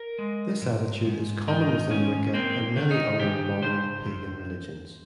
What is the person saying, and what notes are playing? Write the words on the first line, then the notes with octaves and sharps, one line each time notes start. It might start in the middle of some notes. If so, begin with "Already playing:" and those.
This attitude is common within Wicca and many other modern pagan religions.
Already playing: A#4
G#3
G#2
G#2
D#3 D#4
G#2 C#4
A#3 C4
D#3
D#4
C#3 G4
C#3 C5
F2